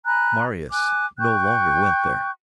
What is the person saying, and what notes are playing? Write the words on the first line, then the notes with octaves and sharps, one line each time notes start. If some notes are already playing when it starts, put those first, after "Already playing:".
Marius no longer went there.
G#5 A#5 B5 F#6
G#5 D6 F#6
G5 C#6 F#6 G6